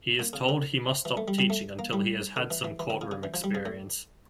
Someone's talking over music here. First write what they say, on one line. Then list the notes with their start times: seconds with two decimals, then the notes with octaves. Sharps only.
He is told he must stop teaching until he has had some courtroom experience.
0.19 A#2
0.33 C#3
0.49 D3
1.05 E3
1.17 A3
1.28 G3
1.38 G3
1.50 A3
1.79 A#3
1.93 G3
2.36 D3
2.51 E3
2.64 E3
2.79 E3
2.90 D3
3.01 C#3
3.11 C#3
3.23 E3
3.34 F3
3.44 G3
3.55 C#3
3.66 A2